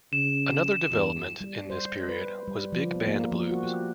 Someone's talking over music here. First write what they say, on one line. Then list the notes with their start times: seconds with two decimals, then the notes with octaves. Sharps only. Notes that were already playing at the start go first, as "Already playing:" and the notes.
Another development in this period was big band blues.
0.13 C#3 E7
0.90 E2
1.41 G3
1.70 C5
2.09 B4
2.47 G3
2.72 F3
2.95 B3
3.08 A#3
3.31 F3
3.51 F#4
3.64 G4